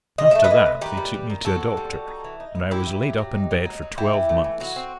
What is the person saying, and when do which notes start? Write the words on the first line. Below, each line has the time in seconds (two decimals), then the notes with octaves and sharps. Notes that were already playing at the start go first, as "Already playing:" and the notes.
After that they took me to a doctor, and I was laid up in bed for twelve months.
0.18 C3 D#5
0.31 A3 E5
0.44 B4 D#5
0.51 E3
0.66 C3
0.81 D#3 G4 B4
0.97 G3
1.14 G3
1.30 D#3
1.45 A2 F#4 A4
1.61 C4
1.77 G3
1.93 G3
2.08 D#4
2.24 E3
2.40 D#4
2.55 B3
2.71 F#3 E4 G4
2.87 E4
3.02 F#3
3.18 F#3
3.34 D#4
3.51 F#3
3.65 D#4
3.82 F#3
3.98 E3 E4 G4
4.13 E3
4.29 A3
4.44 E3
4.60 F#3 F#4
4.76 C4